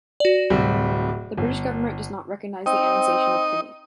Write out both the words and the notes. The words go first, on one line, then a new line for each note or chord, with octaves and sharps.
The British government does not recognise the annexation of Crimea.
F#4 D5
D1 C3 G3
G1
C4 D#4 D#5